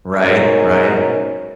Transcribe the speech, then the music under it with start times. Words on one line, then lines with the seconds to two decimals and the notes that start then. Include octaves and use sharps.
Right, right.
0.20 G#2 B2 C#4 A#4 C#5